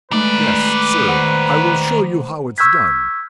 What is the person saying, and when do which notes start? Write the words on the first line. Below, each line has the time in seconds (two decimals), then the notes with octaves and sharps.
Yes, sir, I will show you how it's done.
0.11 D#3 G#3 A3 D#4 B4 D5
1.07 C5 F#5
2.58 C#6 E6 F6 G6 G#6 B6